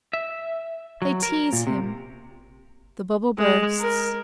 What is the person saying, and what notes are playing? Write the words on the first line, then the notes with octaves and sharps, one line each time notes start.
They tease him; the bubble bursts!
E5
F#3
A#4
A#2
C3
G#3
A#4